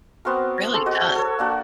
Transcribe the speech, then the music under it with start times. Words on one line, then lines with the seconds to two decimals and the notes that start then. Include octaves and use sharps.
Really does.
0.25 B3 C4 F#4 A#4
0.74 G#4 A4 C5
0.86 F#4 D#5
1.01 E6
1.15 A4 C#5
1.39 A#3 D4 F#4